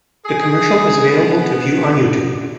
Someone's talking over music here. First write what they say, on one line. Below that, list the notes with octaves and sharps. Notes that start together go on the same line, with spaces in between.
The commercial is available to view on YouTube.
G#4
B3